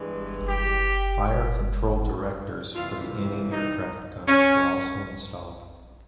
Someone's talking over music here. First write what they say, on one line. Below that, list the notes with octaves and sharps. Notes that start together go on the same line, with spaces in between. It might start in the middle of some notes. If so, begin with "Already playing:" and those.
Fire control directors for the anti-aircraft guns were also installed.
Already playing: G2 E3 G#3 B3
G4
C3 E3 G3 A#3 F4
D#4
C#4